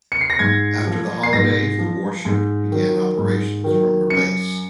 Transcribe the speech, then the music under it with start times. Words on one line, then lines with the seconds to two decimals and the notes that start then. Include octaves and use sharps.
After the holidays, the warship began operations from her base.
0.12 C#7
0.21 C7
0.30 A#6
0.39 G#2 G#6
0.87 F3
1.23 C7
1.33 G#2 A#6
1.79 F3
2.25 G#2
2.72 D#3 F#3
3.18 G#2
3.64 D#3 F#3
4.10 F#2 C#7